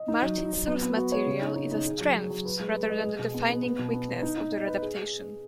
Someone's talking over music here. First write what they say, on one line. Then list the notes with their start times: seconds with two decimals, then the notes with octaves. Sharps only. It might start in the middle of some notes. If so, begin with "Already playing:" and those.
Martin's source material is a strength rather than the defining weakness of their adaptation.
Already playing: D#5
0.08 D#4
0.22 F#3
0.38 F#3
0.53 F#3
0.67 B3
0.82 B3
0.97 F#4
1.12 C#5
1.27 C#3
1.41 D#4
1.56 D#4
1.71 D#4
1.86 G#4
2.01 F#3
2.16 G#4
2.30 F#3
2.45 B4
2.60 G#3
2.75 B4
2.90 D#5
3.04 G#4
3.19 B2
3.34 B3
3.49 B3
3.63 B3
3.79 B2
3.94 B3
4.09 B3
4.22 D#4
4.38 D#4
4.52 D#5
4.68 B4
4.82 G#4